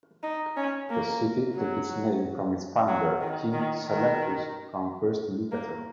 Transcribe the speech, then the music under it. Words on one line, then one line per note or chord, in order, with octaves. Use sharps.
The city took its name from its founder, King Seleucus the First Nicator.
D#4
C#4
A#3
F#3
F#3
D#3
D#3
D#3
A#3